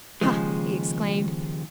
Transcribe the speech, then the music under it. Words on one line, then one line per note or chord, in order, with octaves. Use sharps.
"Huh!" he exclaimed.
D#2 C#3 F3 G#3